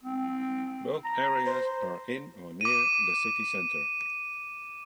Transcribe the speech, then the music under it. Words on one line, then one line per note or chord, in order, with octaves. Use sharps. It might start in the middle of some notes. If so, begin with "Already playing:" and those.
Both areas are in or near the city centre.
C4
A#5
C5
D6 D#7